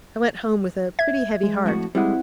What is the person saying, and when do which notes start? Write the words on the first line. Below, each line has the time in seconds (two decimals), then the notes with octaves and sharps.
I went home with a pretty heavy heart.
0.99 E5 G#6
1.43 G#3
1.66 F2 A2 F#4
1.95 G3 G#3 C4 E4 F#5